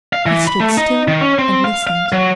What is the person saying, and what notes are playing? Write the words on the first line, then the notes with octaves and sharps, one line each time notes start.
He stood still and listened.
F5
E3
B5
A3
D#4
D#3
C#4
C4
F5
F5
F#3